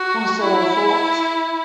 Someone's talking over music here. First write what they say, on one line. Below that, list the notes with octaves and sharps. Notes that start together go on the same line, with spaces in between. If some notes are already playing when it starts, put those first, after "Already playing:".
Or so they thought.
Already playing: F#4
E4